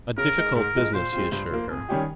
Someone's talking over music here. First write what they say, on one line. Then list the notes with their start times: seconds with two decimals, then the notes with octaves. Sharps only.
"A difficult business," he assured her.
0.18 C#3 A#4
0.37 G#3 D#4
0.55 G#2 A#4
0.75 F3 G#3 D#4
0.94 A#2 C5
1.13 G#3 C4 F4
1.32 G2 C5
1.51 F3 A#3
1.70 F2 G#4
1.89 D#3 G3 C#4 G4